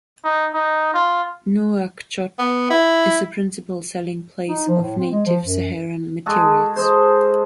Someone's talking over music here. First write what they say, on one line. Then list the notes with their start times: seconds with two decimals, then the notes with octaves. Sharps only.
Nouakchott is a principal selling place of native Saharan meteorites.
0.23 D#4
0.53 D#4
0.94 F4
2.39 B3
2.70 E4
4.48 D#4
4.68 F3
4.82 A2
4.98 C4
5.11 G#3
5.26 F3
5.45 F#2
6.26 G#3 F#4 G#4 A4
6.76 C5 D#5